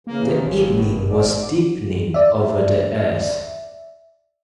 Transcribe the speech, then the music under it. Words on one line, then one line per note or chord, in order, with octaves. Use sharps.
The evening was deepening over the earth.
C#3 E3 A#3
D#3 F3 A3
G#1 D#3 C#4 F4
B2
G#2 D5
D5 E5